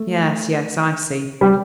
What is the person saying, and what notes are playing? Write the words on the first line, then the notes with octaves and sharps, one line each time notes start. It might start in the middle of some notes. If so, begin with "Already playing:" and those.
Yes, yes; I see.
Already playing: A3
G3